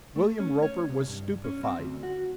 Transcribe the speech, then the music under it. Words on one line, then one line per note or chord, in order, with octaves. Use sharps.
William Roper was stupefied.
A3
C#4
C#5
C2
G2
C#4
C4
D2
F#4